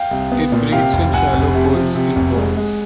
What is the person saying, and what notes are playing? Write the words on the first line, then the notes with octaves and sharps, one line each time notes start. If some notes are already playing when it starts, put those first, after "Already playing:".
It breeds in shallow pools in bogs.
Already playing: F5 G5
C2
B3
A#2
C3 F5 G5
F1
F1 F#5 G#5
F1
C3
F3
C3
F1
G#3
G#3